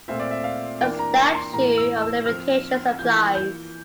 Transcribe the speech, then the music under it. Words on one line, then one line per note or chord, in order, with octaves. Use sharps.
A statute of limitations applies.
A#2 A3 C4 F4 E5
D5
E5
F5
E3 A#3 D4 G5
A#5
A#5
C6
A2 E3 A#3 A#5
E6
E6
F3 C4 F4 F6
E3 A#3 F4 G6
G6